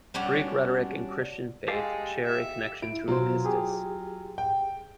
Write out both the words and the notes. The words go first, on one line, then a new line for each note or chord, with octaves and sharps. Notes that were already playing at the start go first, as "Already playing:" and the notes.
Greek rhetoric and Christian faith share a connection through pistis.
G3 C#4 D4 F#4
G#3 G4 A4 F5
E5
E4 D7
B2 F#3 F4 C5
G4 G#4
G5